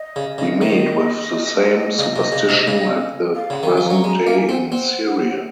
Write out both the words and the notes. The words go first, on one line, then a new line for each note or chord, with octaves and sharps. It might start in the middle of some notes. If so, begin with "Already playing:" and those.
We meet with the same superstition at the present day in Syria.
Already playing: D#5
C#3
C#3
D#3
C#3 D#5
C3
C#3
C3
C#3
F5
C#3 F#5
D#3
G#5
F3
F#3 A#5
G#3 A#5
A#5
A#3
G#5
C4
F#5
C4